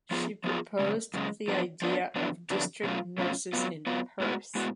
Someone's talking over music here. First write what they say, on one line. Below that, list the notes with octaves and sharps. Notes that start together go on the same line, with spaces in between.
She proposed the idea of district nurses in Perth.
F3 B3 F4 G#4
F3 B3 F4 G#4
F#2 C#3 G#3
F#2 C#3 G#3
F3 B3 D4
F3 B3 D4
F2 D3 F#3 B3 D4
F2 D3 F#3 B3 D4
B2 F#3 A3 C#4 F4
B2 F#3 A3 C#4 F4
F#3 B3 F4
F#3 B3 F4
A2 G#3 B3 F#4
A2 G#3 B3 F#4